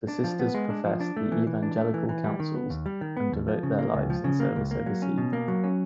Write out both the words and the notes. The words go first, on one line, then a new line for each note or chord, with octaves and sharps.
The sisters profess the evangelical counsels and devote their lives in service overseas.
D4
F3
B3
G#3
D4
F3
D4
A3
E3
E3
D4
A3
E3
E3
G3
D#3
B3
D#2
G3
D#3
B3
D#2
F3
C#3
A#3
C#2
F3
C#3
A#3
C#2
A#3
F#3
C#4
B2
A#3
F#3
C#4